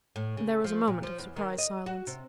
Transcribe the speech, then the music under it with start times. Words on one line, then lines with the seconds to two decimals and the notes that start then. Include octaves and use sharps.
There was a moment of surprised silence.
0.16 A2
0.37 C#3
0.64 F3
0.88 A#2
1.03 F3
1.19 E2
1.36 D#3
1.58 D#5
1.86 F#4
2.07 C3